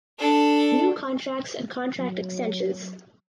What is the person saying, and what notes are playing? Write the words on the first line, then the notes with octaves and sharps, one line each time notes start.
New contracts and contract extensions.
D4 A4
F#3